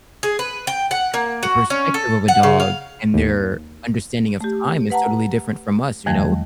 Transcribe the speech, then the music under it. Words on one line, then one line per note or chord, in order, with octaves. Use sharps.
the perspective of a dog and their understanding of time is totally different from us, you know?
G#4
B4
G5
F#5
A#3
F#4
C#4
A4
F#5
C#3
F5
D#2
A3 G4
B4 F#5 A5 A#5
E2 D#3 F3 G3 A3